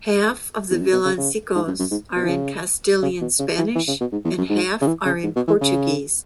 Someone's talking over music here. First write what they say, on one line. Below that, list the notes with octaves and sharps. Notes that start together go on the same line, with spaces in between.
Half of the villancicos are in Castilian Spanish, and half are in Portuguese.
E2
F#2
B2
C#3
C#3
G#2
F#2
F#2
G#2
B2
E3
C#3
C#3
B2
C#3
E3
E3
C#3
B2
G#2
E2
F#2
G#2
C#3
E3
C#3
G#2
B2
E3
C#3